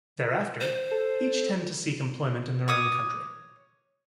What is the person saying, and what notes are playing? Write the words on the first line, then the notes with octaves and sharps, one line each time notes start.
Thereafter, each tend to seek employment in their own country.
C5
A4
C#5 D6 D#6